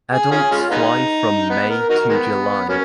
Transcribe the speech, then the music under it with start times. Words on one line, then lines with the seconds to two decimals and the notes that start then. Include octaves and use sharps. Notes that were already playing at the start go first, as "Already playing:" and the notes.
Adults fly from May to July.
0.12 G#4
0.31 C#4 F4 G#4
0.51 G#3 C#4 F4
0.71 G#3 B3 D#4
1.50 B3
1.70 A#4
1.89 D#4 F#4 A#4
2.09 D#3 G#3 B3
2.69 F#3 A#3 C#4